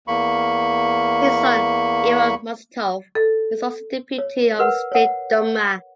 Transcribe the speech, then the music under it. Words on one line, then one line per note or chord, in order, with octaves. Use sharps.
His son, Ivan Musatov, is also a deputy of the State Duma.
E2 A#3 B5 C#6
A4
C#5
A#4 B4 F#5
C#5 F#5